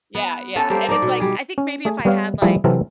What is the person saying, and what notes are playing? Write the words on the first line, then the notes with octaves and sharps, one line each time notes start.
Yeah, yeah, and it's, like I think maybe if I had, like,
B3
B3 C#4 A4
G3 A#3 A4 C5
D#4 D5
B2
G3 G#4
C#4
A3 G#4
G3 B3 B4 C#5 F5
F3 G3 A3 E4 G#4
C3 E3 F#3 C4 A4 A#4